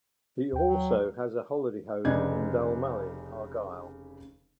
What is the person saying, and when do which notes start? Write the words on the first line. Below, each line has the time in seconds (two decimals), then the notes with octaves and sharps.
He also has a holiday home in Dalmally, Argyll.
0.53 D#2 G5
0.66 F#3
2.04 F1 C#3 D4 D#4 G#6